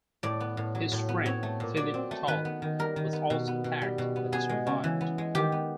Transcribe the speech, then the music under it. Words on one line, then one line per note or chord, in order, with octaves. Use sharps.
His friend, Phillip Tull, was also attacked but survived.
A2 D5
B3
A2
F#3
A2
B3
C4 C#5
A3
A#2
F#3 D5
C4
A3
D#3 B4
B3
D#3
G3 A#4
D#3
B3
B2
B3
B2
G3
B2
B3
B3 G#4
G#3
C#3
E3
B3
G#3
D#3 G4
B3